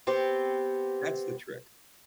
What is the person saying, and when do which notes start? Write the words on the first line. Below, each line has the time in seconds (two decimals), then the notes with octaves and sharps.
that's the trick.
0.07 B3 C4 G4